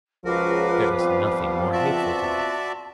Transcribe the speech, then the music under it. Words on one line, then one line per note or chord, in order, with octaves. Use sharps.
There is nothing more hateful to them.
C#2 F3 F#4 A#4 B4 F5 D6
G3 B3 C4 F4
F#4 D5 E5 A5 C6